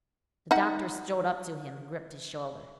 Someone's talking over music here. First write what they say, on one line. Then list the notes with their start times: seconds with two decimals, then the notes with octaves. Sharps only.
The doctor strode up to him and gripped his shoulder.
0.51 D#4 F#5